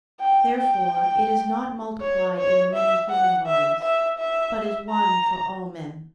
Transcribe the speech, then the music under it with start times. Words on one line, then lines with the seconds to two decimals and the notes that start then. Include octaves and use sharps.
Therefore it is not multiplied in the many human bodies, but is one for all men.
0.20 G5
0.56 G5
2.01 C#5
2.37 C#5
2.73 E5
3.10 F#5
3.46 E5
3.82 E5
4.18 E5
4.91 A#5